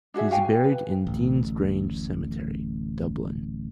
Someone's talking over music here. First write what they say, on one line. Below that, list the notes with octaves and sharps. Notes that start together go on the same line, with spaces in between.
He is buried in Deansgrange Cemetery, Dublin.
D4 F#4 G#4 E5
F#4 F5 G5 G#5
G#5
B4
D1 A1